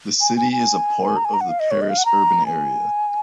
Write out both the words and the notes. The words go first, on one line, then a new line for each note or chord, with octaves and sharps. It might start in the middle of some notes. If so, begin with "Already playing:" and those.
The city is a part of the Paris urban area.
G#5
G#5
G#5
A#5
G#5
A#5
F#5
F5
D#5
C#5
D#5
F5
F#5
A#5
G#5